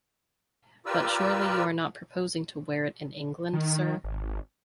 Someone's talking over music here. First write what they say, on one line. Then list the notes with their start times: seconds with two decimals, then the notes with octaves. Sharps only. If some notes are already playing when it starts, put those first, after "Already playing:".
But surely you are not proposing to wear it in England, sir?
0.86 F4 G4 A#4 B4 D5 E6
3.53 D#3
4.04 G#1